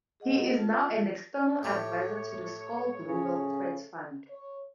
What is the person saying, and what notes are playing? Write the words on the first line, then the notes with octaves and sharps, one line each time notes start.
He is now an external adviser to the Skoll Global Threats Fund.
G#4 D#5 F#5
F4 A5
A2 A3 G4 C#5
C#3
C#5